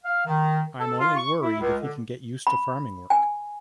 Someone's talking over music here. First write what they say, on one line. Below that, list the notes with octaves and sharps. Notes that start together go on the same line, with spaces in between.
I’m only worried if he can get used to farming work.
F5
D#3
A4
F4
C#6
E4
C#2
D3
B5
G#5